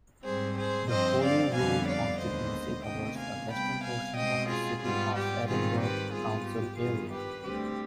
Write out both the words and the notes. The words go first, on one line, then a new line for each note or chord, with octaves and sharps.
The Holyrood constituency covers a western portion of the City of Edinburgh council area.
G#2 G3 C4 G#4 C5
G#4 C5
G2 F3 C4 C5 D#5
D5 F5
F2 D3 G3 B3 F5 G#5
D5 F5
D#2 D3 G#3 B3 C5 D#5
D2 C3 D#3 B3 D#5 G5
F5 G#5
C3 G3 B3 G5 B5
F5 G#5
B2 G#3 C4 D#5 G5
F4 G#4
G#2 G3 B3 F4
G4
G#2 D#3 G3 C4 F4 G#4
G4 B4
G#2 G3 B3 F4 G#4
G4
G2 D#3 G3 B3 F4 G#4
G4 B4
D2 D3 G3 C4 G4